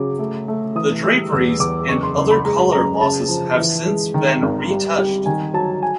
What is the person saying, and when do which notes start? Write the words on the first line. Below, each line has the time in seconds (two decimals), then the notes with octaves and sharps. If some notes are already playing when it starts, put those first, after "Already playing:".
The draperies and other color losses have since been retouched.
Already playing: C#3 F#3 D6
0.19 A3
0.48 A3
0.75 E3 D#6
1.04 G3 E6
1.32 E2 E6
1.60 E2 D6
1.88 F#1 C#6
2.03 C6
2.17 F#1
2.31 B5
2.45 G#3 A#5
2.72 F#2 A#5
3.01 C#3 A5
3.29 F3
3.58 E3
3.86 G#3
4.14 D#3
4.42 G#1
4.70 G3
4.98 G3
5.26 D#3 G#5
5.54 F#3 A5
5.83 G#5